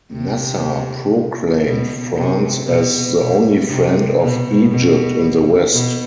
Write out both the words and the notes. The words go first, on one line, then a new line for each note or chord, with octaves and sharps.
Nasser proclaimed France as the only friend of Egypt in the West.
C3
B2
C3
B2
B2
C3
B2
B2
B2